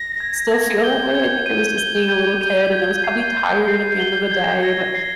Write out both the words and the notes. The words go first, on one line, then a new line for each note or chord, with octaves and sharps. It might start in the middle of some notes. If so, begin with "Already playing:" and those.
still feel that way. I think I was just being a little kid and I was probably tired at the end of the day. But,
Already playing: A#6
G#6
G#6
G6 G7
G#6
D#7
G7
G#6
D#7
G#6
C7
G#6
C7
G7
G#6
G#6 A#6
C7